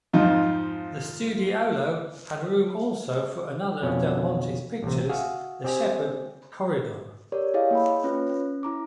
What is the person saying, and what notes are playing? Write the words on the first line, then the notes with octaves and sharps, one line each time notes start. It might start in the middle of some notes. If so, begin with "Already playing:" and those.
The studiolo had room also for another of Del Monte's pictures, the Shepherd "Corydon".
F2 G#2 F3 D#4 F4
F2 B2 C#4
A1 C3
F#4 G#4 E5 F5
C4 G4 D#5 G#5
G4 A#4 C#5 D5
E4 G#4 C#5 D#5 F5
A#3 G5 B5
C#4 F4 B4 C#5
C#4
E4 A#5 D6